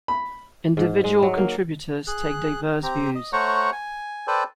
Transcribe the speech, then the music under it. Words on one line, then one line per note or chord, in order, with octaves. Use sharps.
Individual contributors take diverse views.
B5
G#2
G#3
F#3
A#3
G#4 F#6
C4 G4 A#5
D#5
A3 C5 C#5 F#5 A#5 C#6
G#5
A4 B4 C5 D5 G5 A5